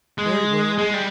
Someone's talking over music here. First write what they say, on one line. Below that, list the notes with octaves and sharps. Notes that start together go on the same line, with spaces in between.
"Very well."
G#3
G#3
G3